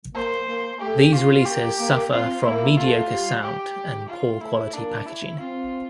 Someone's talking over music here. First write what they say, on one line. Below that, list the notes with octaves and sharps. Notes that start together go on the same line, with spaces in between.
These releases suffer from mediocre sound and poor quality packaging.
A#3 C5
A#3
A3 G4
F4
A#3 G4
A#3
C4 F4
A#3 E4
A3 F4
G3
G4
F4
A3 E4
A#3 D4
E4
C4 F4